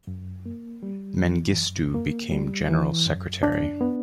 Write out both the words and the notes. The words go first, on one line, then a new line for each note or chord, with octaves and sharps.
Mengistu became general secretary.
F#2
A#3
G3
E3
F#2
A#3
G3
E3
F#2
D4
B3